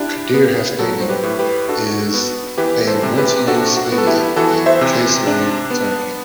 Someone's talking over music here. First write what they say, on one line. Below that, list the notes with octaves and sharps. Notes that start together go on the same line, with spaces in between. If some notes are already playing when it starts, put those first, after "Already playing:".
Kadir Has Stadium is a multi-use stadium in Kayseri, Turkey.
Already playing: D4 E4 G4
B3
F#3 F#4 A4
C5
G4 B4
A2
G4 B4
D4 F#4 A4
B3
E3 G4 B4
A4 C5
C3
G4 B4
D4 F#4 A4
F#4
B3
A4
E4 G4
E3 F#4 A4
C5 E5
C3
D4
B3